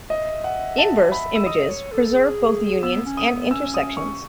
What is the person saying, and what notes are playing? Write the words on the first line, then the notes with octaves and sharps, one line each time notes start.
Inverse images preserve both unions and intersections.
D#5 E5
F#5
A5
B5
E6
D#5 D#6
D#5
C#5
A4
G#4
B3 E6
C#4
D#6
B3
C#4 E6
D#6
C#6